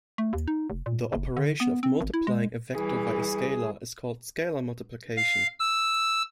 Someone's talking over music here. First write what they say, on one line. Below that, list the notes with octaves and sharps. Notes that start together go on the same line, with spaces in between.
The operation of multiplying a vector by a scalar is called "scalar multiplication".
A3
D#2
D#4
F1
A#2
F#1
D3
B3
C4
G#1
E4
G#3
E3 G3 G#4
F5
E6